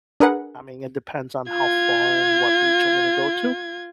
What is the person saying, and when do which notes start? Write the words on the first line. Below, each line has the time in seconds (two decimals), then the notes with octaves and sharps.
I mean, it depends on how far and what beach I'm gonna go to.
0.20 D4 G#4 A#4 B4 F#5
1.50 F4 G#6